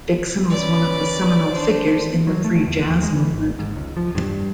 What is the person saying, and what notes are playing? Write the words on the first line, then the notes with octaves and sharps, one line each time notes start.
Dixon was one of the seminal figures in the free jazz movement.
C#4 B4 D5
D4 C5
F#3
A3
E2
D#2
G#3
E3
G#1
G#2
C#2
F3
G2